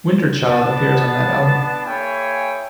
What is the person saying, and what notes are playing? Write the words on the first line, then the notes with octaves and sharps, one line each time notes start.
"Winter Child" appears on that album.
B3 D4 A5
A#3 E4 G#4 C#5 G5 G#5